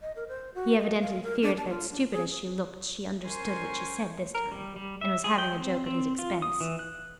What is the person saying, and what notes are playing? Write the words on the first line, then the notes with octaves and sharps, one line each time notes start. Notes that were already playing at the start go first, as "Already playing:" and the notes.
He evidently feared that, stupid as she looked, she understood what she said this time, and was having a joke at his expense.
D#5
A#4
C5
F#4
D#5
F5
A#4
D4
A5
F4
D4
G#4
C#4 A#4 C5 G#5 C6 C#6
A#4
G3
G3
E5
G#4
G5
C4
C4
F4
D#6
E3
F#6